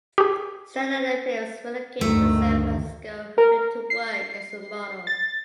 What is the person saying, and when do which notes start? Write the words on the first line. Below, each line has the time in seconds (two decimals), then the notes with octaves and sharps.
Standing at Phillips relocated to San Francisco hoping to work as a model.
0.18 G4 G#4
2.01 D2 G2 D#3 A3
3.38 A#4
3.90 C7
5.07 A6